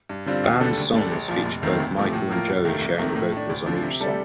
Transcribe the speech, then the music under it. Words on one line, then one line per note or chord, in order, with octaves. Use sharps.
The band's songs feature both Michael and Joie sharing the vocals on each song.
G2
D3 G3 C4 F4
D#2
D3 G3 D4 A4
D2
D3 G3 D4 A4
A#1
A#2 F3
F1
D#2 D#3 A3 C4
D2
C3 F3 A3
A2
F3 A#3 F4 A#4
F1
D#2 D#3 A3
C2
C3 D#3 A3
A2
A3 D4
D2
D3 F3
C3
G3 D4 A4